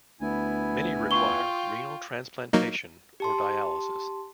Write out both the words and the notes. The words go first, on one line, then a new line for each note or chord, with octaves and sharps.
Many required renal transplantation or dialysis.
D2 B3 E4 G#5
F4 G5 C#6 G7
F#3 A#3 D#4
G4 A5 C6